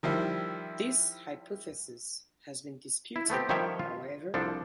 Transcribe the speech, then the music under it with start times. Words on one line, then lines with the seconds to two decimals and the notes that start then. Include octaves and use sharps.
This hypothesis has been disputed, however.
0.03 D#3 F3 G3 E4
3.16 E4
3.30 A3 B3 C4 G4
3.49 D#3 F3 G3 C#5 E5 G5
3.79 F4
4.34 C2 F3 D4 A4